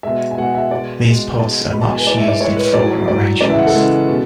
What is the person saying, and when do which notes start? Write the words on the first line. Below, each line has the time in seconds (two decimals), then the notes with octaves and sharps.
These pods are much used in floral arrangements.
0.03 B2 G#3 E5
0.31 G#5
0.38 B2 G#3 F#5
0.55 E5
0.71 B2 G#3 D5
1.05 B2 G#3
1.39 B2 G#3 A5
1.73 G#3 B5
1.76 B2 A5
1.90 G#5
1.98 B4
2.06 A2 G#3 D5
2.18 E5
2.28 D5
2.40 A2 G#3 C#5
2.57 B4
2.74 A2 F#3 D5
3.08 A2 F#3 D5
3.41 C#3 E3 G#3 D5
3.50 E5
3.58 F#5
3.67 A4
3.75 C#3 E3 G#3
4.08 B2